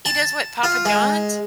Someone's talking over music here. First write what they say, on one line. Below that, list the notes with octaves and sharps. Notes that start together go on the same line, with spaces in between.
He does what Papa John's?
A5
F4
G#3